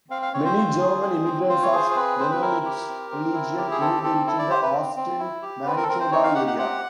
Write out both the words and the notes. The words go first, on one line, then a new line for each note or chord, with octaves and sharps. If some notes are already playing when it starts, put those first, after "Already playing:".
Many German immigrants of Mennonite religion moved into the Austin Manitoba area.
C4 F5
F5
C4 C#5
C5
F4
G#4
C4
C4
F4 C5
C#5
G#4 C5
C5
C4 B4
C4 C5
B4
E4 A#4
G4
C4
C4
E4
G4
G#4
C4 A4
C4 A4
E4 A4
D5
G4 C5
B4
C4
C4
E4
G4
C4 B4
A#4
A4
C4 A#4
C5
D#4 C#5
F5
G4 F#5
F#5
C4 F#5